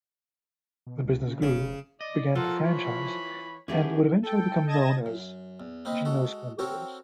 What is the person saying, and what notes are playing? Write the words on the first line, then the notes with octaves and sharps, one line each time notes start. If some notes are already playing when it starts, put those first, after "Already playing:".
The business grew, began to franchise, and would eventually become known as Gino's Hamburgers.
B2
C#2
C#3
F1 C#3
D5 D#5
F3 F4 A4 A#4 F#5
E3 C#5 B5
E3 A3 B3 C#4 G4 G#4
A4 G5
D#5 A5 G#6 A#6 E7
F#2
E2
A#3 C4 D#4 B4
G#3 F#4 A4
C4 F#4 A4 A#4 C#5 G5